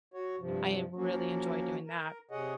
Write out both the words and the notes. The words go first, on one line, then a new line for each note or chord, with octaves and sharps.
I really enjoy doing that,
F#4 C#5
G2 C3 F3
F3 A#3 C#4 F#4
A#4
C3 G#4 C#5 D#5 F#5